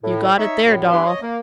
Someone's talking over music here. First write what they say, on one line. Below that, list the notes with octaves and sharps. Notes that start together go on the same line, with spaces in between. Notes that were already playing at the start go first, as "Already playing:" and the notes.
'You got it there, Doll.
A2
D#4 C#5 E5
F#2 A2
E3 G3 B3 D4 B5 C6
C#5 D#5
A#3